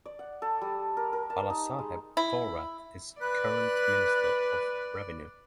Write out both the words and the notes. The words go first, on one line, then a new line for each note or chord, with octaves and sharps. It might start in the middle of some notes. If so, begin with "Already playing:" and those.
Balasaheb Thorat is Current Minister of Revenue.
D5
F#5
A4
G3
A#4
A#4
A5
D#4
G#3
E4
B4 D5 F#6